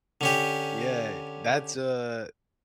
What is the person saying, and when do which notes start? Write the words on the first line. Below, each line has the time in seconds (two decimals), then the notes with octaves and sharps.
Yeah. That's a
0.21 D3 C#4 G4